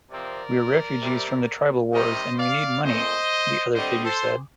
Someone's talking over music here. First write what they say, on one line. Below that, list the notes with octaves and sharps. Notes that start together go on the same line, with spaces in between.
"We're refugees from the tribal wars, and we need money," the other figure said.
C3 F3 C4 A#4 D5
C3 G3 C4
C3 D#3 G3 C5 D#5
D5 F5
A#2 A3 C4 C5 D#5
D3 G3 C4 C5 D#5
A4 C5